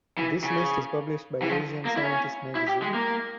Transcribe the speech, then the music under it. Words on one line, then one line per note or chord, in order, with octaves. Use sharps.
This list is published by Asian Scientist Magazine.
E3
C#3
E3
F3
A#3
E4
C#4
E4
G4
G#3
A#3